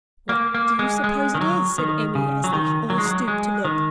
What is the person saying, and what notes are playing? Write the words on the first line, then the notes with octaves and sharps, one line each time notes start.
"What do you suppose it is?" said Emmy, as they all stooped to look.
A#3
A#3
G#3
G#3
D#3
F#3
D#3
C#3
F#3
D#3
F#3
G#3
F#3
G#3
D#3